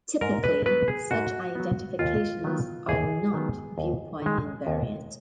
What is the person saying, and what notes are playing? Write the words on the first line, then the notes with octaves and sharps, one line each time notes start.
Typically, such identifications are not viewpoint-invariant.
G#2 A#4
B4
F#3 B3 B4
G#4
G#2 F#4
F#3 B3
D#2 F4
D#3 F#3 B3
D#2 G#4
D#3 F#3 B3
D#2
D#3 G#3
D#2